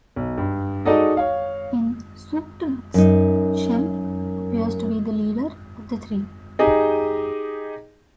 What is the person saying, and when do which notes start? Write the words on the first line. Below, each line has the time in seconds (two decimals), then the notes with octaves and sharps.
In "Soup To Nuts", Shemp appears to be the "leader" of the three.
0.16 B1
0.38 G2
0.85 G#3 D#4 F#4 A4 D5 D#5
1.17 C#5 F5
2.94 F#2 D#4
6.59 D#4 G4 G#4 D#5